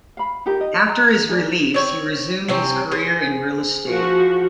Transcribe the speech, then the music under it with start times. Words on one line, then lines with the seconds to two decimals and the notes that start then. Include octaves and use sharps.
After his release, he resumed his career in real estate.
0.17 F5 B5
0.46 D#4 F4 G4 A#4
0.61 D#5
0.89 A#5
1.28 D#4 G#4 A#4 D5
1.74 C4 C#5
2.48 C3 C4 C#4
2.92 G#4 C5
3.87 F3 F#4